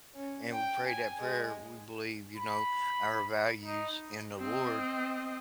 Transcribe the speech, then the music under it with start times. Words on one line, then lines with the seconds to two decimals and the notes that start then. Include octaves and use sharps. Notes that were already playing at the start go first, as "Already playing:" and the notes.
and we pray that prayer, we believe, you know, our values in the Lord
0.15 C#4
0.52 G5
0.86 G#5
1.20 G#3
2.37 B5
3.65 D#4
4.39 C4 D#5